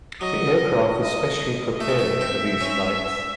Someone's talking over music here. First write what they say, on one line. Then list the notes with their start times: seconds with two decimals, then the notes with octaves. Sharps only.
The aircraft was specially prepared for these flights.
0.21 F#3 D#5
1.00 D#5
1.81 A3 E5
1.89 G#3
1.99 A3
2.21 C4
2.61 C#4